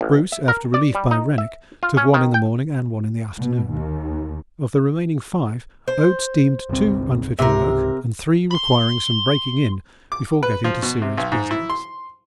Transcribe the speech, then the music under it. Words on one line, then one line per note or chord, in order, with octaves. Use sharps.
Bruce, after relief by Rennick, took one in the morning and one in the afternoon--of the remaining five Oates deemed two unfit for work and three requiring some breaking in before getting to serious business.
A1
E5
A#4
D5
G3
D#4
E5
F4
C#4
D#3
G5
B2
D#2
C5
G1 C2 C4
C#2 G#2 C3 A#4
B5 C6
D6
B4
F3
B2
C3
B1
G#2
E4
C6